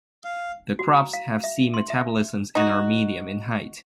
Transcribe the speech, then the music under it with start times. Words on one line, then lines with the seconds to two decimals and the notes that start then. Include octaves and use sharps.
The crops have C metabolisms and are medium in height.
0.25 F5
0.79 F#4
0.97 A#5
1.13 F5
1.44 E5
1.74 C6
1.90 E5
2.55 D#4 F#4